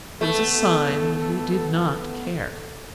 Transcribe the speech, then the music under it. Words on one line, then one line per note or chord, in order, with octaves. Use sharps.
It was a sign that he did not care.
A3 B3 A4